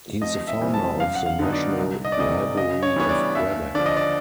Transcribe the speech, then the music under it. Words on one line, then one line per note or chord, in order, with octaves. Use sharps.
He is the founder of the national library of Quebec.
F2 D#5
E5
C3 E3 G3 C4
A5
F#2 F5
F#5
F5
D3 F#3 B3 D#4
D5
C2
D#5
D5
C3 E3 A3 D#5
C#3 D#5
C#5
E3 G3 B3 D4 C#5
D5
D#2 E5
D3 F3 D5
D#5
D5